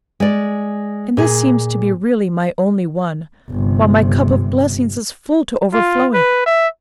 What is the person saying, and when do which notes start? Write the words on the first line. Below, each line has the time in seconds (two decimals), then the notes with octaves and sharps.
And this seems to be really my only one, while my cup of blessings is full to overflowing.
0.20 G#3 D5
1.17 A#2 G#4
3.50 G1 C3
5.73 F4
6.14 B4
6.46 E5